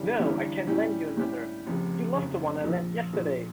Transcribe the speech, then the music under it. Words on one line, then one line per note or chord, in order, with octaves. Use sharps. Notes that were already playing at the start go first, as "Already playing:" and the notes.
No, I can't lend you another. You lost the one I lent yesterday!
Already playing: G1 G2 E3 G3 C#4
G1 G2 E3 G3 C#4
A2 G3 C#4 G4
A2 G3 C#4 G4
F1 F2 C#3
F1 F2 C#3
A#1 A#2 F3
A#1 A#2 F3